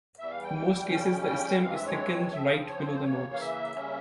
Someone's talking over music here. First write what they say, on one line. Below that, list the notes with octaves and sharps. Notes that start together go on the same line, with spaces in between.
In most cases the stem is thickened right below the nodes.
E2 E3 G3 E5
F5
G5
F2 C#3 G3 C#4
G5
G2 E3 G#3 C4 F5
E5
C#5
C#3 F3 C4 E5
F5
C#5
C5
C#5
C5
C#3 E3 A#3 C#5
F5
E5
C#3 G3 A#3 C#4